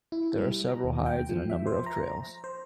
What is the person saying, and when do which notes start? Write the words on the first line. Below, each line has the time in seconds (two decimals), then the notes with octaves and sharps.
There are several hides and a number of trails.
0.12 E4
0.39 G3
0.68 A#5
0.84 D#2
1.06 G5
1.29 F3
1.50 E5
1.67 C5
1.86 A#5
2.44 C5